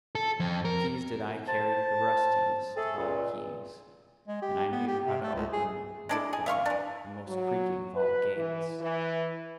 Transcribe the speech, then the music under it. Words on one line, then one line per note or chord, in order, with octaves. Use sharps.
Keys did I carry, the rustiest of all keys; and I knew how to open with them the most creaking of all gates.
A4
F2
A#4
C5 A5
A3 G#4 A4
C#2 A#2
G#3
G4
B3
G4
C3
A3
C#2
G#4
G#3 D4 E4
G#4
E5 F5 C6 C#6
E3 D4
F#3
B4
E3
E3